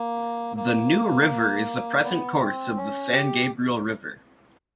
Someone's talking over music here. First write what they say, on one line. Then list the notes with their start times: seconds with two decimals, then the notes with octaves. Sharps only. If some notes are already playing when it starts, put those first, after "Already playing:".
The "New River" is the present course of the San Gabriel River.
Already playing: A#3
0.57 A#3
2.03 B3
2.40 C4
2.77 C#4
3.13 G4